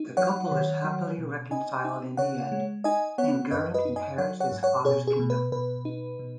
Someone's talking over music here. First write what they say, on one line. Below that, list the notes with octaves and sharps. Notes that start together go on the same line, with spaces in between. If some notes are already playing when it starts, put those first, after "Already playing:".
The couple is happily reconciled in the end, and Geraint inherits his father's kingdom.
Already playing: D#4
F#3 C#5 F#5
D#3
F#3
B2
D#4 D#5 G#5
D#4
C#3 C#5 F#5
G#3
D#4 D#5 G#5
B3 C#5 F#5
F#2 B4 D#5
B4 D#5
D#4
D#5 G#5
F#3 C#5 F#5
C#5 F#5
G#2
C#5 F#5
B2 G#4 C#5
G#4
B2
B4
B2 B4
D#4
B2